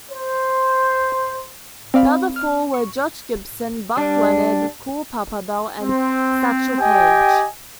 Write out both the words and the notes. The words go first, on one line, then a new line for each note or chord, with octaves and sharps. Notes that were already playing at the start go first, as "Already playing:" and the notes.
The other four were Josh Gibson, Buck Leonard, Cool Papa Bell and Satchel Paige.
C5
C4 D5 F5 B5
F6
C#6
G3 D4
C4
G4 D#5 G5 G#5